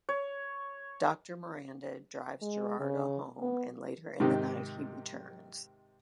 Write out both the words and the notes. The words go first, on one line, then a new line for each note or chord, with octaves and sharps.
Doctor Miranda drives Gerardo home and later in the night he returns.
C#5
G#3
C#3
B3
G#2 C3 D#3 C4 D#4 G4